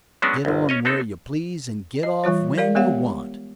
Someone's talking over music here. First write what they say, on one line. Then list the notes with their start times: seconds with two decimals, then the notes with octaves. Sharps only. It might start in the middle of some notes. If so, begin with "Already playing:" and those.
Get on where you please and get off when you want.
0.22 F#3 G#3 B3 C#4 D4 F#4
0.45 G1 C2
0.69 C#4 C#5 D#5
0.85 B3 C4 D#4 A4
2.03 D#5
2.24 E3 G3 F4 C#5
2.58 A#4 D5 F5
2.75 G#3 B3 G4 C#5 F5 F#5